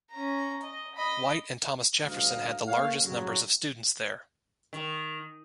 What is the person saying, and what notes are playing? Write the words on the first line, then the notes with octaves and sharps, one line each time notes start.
White and Thomas Jefferson had the largest numbers of students there.
C#4 A#5
D#5
D#5 B5
D2 G2 A3 D#4 F5
A3 A#3 A4 C#5 F5
G2 C#3 F#3
D#3